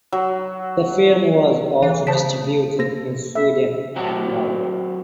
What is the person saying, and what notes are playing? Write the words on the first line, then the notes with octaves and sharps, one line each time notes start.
The film was also distributed in Sweden and Norway.
F#3
E3
C#3 C5 A5 B6
A#3 A#6
E5
F#3 C4 F#4 G4